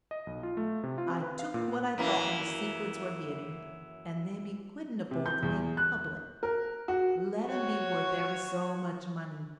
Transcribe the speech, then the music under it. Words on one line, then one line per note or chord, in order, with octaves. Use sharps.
I took what I thought his secrets were hid in: and them he couldn't afford to make public, let'em be worth ever so much money.
D#5
B1
F4
A3
C3
F4
C4
B4
F5
A#2
B3
F#2 E3 A#3
C3
G6
E2
F#6
A#4
F#4
F#4 C#5